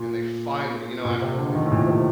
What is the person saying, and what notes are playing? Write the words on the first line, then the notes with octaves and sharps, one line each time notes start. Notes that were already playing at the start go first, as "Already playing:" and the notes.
and they finally, you know, after like,
Already playing: A#2
A#2
C3
D3
D#3
A2
A#2
C3